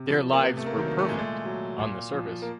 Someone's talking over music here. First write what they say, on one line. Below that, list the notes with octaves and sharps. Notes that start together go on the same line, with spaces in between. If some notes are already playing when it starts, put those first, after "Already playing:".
Their lives were perfect - on the surface.
Already playing: C3
F3
A#3
C3 B3
A3
A#3
D#3 F#3
A#3
A3
A#2 G#3
A3
F#3
A#2
F3
A#3